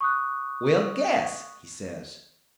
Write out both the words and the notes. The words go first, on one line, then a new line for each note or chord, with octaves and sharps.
"Well, guess," he says.
C#6 D#6 F#6